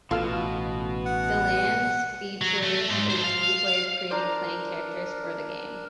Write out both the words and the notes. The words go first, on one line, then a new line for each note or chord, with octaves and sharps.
"Deadlands" features a unique way of creating playing characters for the game.
A1 B2 F4 A4 F5
F#5
F#3
A3
G#2
A4 C5
F5
D4 A#4 C5 D5 A#5